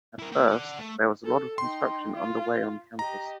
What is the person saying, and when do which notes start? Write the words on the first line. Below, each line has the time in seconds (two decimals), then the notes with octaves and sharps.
At first, there was a lot of construction underway on campus.
0.19 E4 A#4
0.32 A#3 G5
0.48 D5 F#5
0.79 A3
1.25 A4
1.58 D#4 G5 C6
2.14 F4
2.99 G4 D#5 A#5